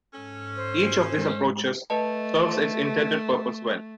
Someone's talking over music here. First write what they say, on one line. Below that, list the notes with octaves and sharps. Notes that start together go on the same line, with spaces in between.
Each of these approaches serves its intended purpose well.
G#2 C#4 A4
C5
G#3
A3 B4 D#5 A5